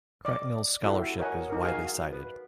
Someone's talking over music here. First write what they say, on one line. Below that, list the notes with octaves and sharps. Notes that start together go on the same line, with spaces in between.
Cracknell's scholarship is widely cited.
D5 D#5 D6
E4 F#4 G4 A4
A#4 C#5 D#5 F#5 G#5
D#4 A#4
F#4 G#4 D#5 F5 G#5
B4